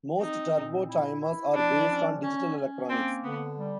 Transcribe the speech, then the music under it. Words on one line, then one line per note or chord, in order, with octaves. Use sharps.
Most turbo timers are based on digital electronics.
C4 D#4
A#2
E4
E4
F3 D4
C#4
C#4
C#4
A#3 C4
D3 B3
G3